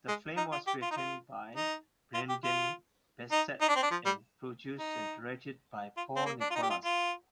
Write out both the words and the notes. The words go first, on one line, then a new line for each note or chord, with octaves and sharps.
The film was written by Brendan Beseth, and produced and directed by Paul Nicolas.
G#3
D#4
F4
G4
F4
D#4
F4
D#4
F4
G4
F4
D#4
D#4
D4
C4
D4
F3
G3
D#4
F4
C4
A#3
D4
F4
D#4
G4
F4
F4